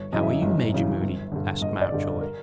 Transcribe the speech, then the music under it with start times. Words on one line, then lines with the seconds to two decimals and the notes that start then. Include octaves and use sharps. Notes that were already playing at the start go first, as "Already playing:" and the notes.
"How are you, Major Moody?" asked Mountjoy.
Already playing: G1 C#5
0.13 F#2 C#3 E3 D#5
0.23 E5
0.42 G1
0.72 F#2 C#3 E3
1.02 G1
1.32 G2 D3
1.61 G1 D#5
1.82 D5
1.92 G2 D3
2.21 A#4